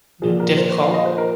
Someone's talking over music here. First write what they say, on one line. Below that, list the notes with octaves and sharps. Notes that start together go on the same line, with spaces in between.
you know, difficult.
A#2 F3 G#4
A#4
C5
C5
F5
D#5
C5
A#4